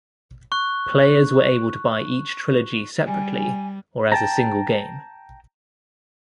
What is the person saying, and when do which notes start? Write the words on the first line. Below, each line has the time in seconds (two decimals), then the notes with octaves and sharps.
Players were able to buy each trilogy separately or as a single game.
0.52 C#6 F#6
3.05 G3 G#5
4.12 G5 A5 A#5